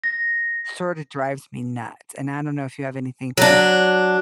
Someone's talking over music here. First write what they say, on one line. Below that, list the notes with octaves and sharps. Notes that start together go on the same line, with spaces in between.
sorta drives me nuts, and I don't know if you have anything
A#6
F#3 D4